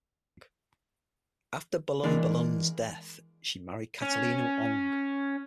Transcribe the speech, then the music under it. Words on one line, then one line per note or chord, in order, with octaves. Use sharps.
After Balunbalunan's death, she married Catalino Ong.
E3 G#3 A#3 D4
C#4